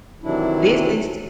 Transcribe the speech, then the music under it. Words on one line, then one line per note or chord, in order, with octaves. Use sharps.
This is"
C3 D#3 E3 F#3 D4 E4